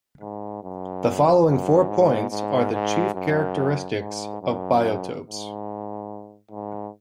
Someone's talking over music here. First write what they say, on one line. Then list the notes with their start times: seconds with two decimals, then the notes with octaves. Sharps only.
The following four points are the chief characteristics of biotopes.
0.20 G#2
0.63 F#2
1.47 F#2
1.88 G#2
2.31 G#2
2.73 G#2
3.14 F#2
4.00 G#2
4.42 F#2
5.26 G#2
6.51 G#2